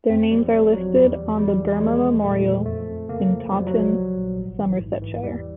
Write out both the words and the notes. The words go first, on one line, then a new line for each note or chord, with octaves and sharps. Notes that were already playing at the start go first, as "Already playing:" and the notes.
Their names are listed on the Burma Memorial in Taunton, Somersetshire.
F2 C4
F3 G3
G1 G3
F3 F#3
E2 G3
E2
E2 G3
E2
G3
F3 G#3
F3
A#2 A3
F3
F2 A3
F2
C#3 A#3
F3
F3 F#3
G3
F#3
A#1
F3
A#1
G#1
E3
G#2
E3
E2 G3